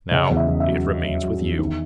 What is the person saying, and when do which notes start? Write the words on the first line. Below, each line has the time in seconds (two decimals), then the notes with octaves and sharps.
Now it remains with you.
0.11 C#3 D#5
0.30 E2
0.37 E5
0.48 E2
0.60 E5
0.67 F#3
0.85 F#3
1.04 F#3
1.23 F#3
1.40 E2
1.58 D#3